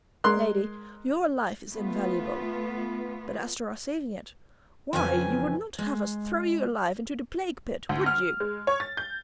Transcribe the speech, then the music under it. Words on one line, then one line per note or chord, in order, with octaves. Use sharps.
"Lady, your life is invaluable; but as to our saving it, why, you would not have us throw you alive into the plague-pit, would you?"
G#3 A#4 C6 F#6
A3 B3 F4
F2 C#3 E3 F3 G#4 G#5
G#3
D2
F6
G#3
C#5
A6
G6